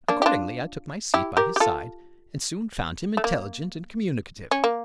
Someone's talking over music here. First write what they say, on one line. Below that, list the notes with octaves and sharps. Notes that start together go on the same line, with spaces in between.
Accordingly I took my seat by his side, and soon found him intelligent and communicative.
A#3 D4
G4
D4 F4
E4 G4
G4 A#4
G4
F4 A4
A3
A#3
C#4
A#3